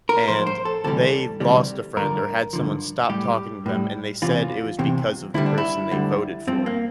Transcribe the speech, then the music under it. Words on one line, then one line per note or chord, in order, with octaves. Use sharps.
and they lost a friend or had someone stop talking to them. And they said it was because of the person they voted for.
A#4
A2 F3 C5
C5
A4
D2 C3 E3 G3 A4
D2 C3 E3 G3
G2 D3 F3 A#4
G2 D3 F3
A2 G3 G4
A2 G3
E2 C3 E3 F4
E2 C3 E3
D2 D3 G3 E4
D4
E4
D2 D3 G3
G2 F3 C4
A#3